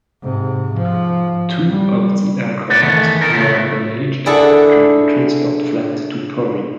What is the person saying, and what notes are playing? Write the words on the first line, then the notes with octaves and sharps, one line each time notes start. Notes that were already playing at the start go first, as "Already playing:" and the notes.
Two of the aircraft were damaged during a transport flight to Pori.
G#2 C3
G#2 F3
G3
B4 D5 F#5
D#3 E3 A3 B3
D#4 A4 A#4
C#3 A3 B3
A3
D4 E4 G#4 A4 F#5 A5